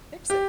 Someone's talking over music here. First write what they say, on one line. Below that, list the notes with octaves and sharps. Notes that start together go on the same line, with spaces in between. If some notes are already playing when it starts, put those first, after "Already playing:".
fix it."
G4